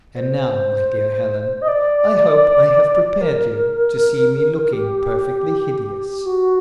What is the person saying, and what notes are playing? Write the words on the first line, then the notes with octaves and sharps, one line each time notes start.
And now, my dear Helen, I hope I have prepared you to see me looking perfectly hideous.
C5
D#5
D5
A#4
G4
F#4